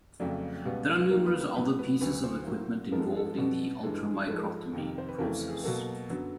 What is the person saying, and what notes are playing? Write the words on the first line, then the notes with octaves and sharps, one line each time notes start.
There are numerous other pieces of equipment involved in the ultramicrotomy process.
F2 C#3 F#3 A3 D5
C#2 B2 G3 B3
D#2 D#3 G3 A#3 A#4
B4
B4
A2 F#3 B3 B4
B4
D2 D3 F#3 B4
C5
A2 F#3 A#3
G#2 F3 G#3 B3 A#4
A4
G#4
A4
B2 G3 B3
G2 E3 G#3 A4
G#4
G#2 F3 G#3 A4
A#4
A4
F2 C3 D#3
C5
B4
F2 C#3 E3 A3 A#4
G#4
B2 F#3 A#3 A4
F#2 D3 F#3 B3